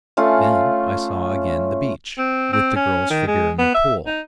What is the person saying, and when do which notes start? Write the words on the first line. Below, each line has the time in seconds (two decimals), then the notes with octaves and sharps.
Then I saw again the beach, with the girl's figure in the pool.
0.17 A3 C#4 F4 F5
2.18 C4
2.53 C4
2.76 C#4
3.11 D#3
3.27 G#3
3.59 B3
3.75 E5
4.07 D#4